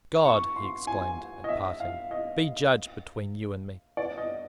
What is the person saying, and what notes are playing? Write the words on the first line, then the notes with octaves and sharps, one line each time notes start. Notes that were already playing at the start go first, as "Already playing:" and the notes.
"God," he exclaimed, at parting, "be judge between you and me!"
C#6
C6
G#5
D#5
E5
F5
D#5
D5
D#5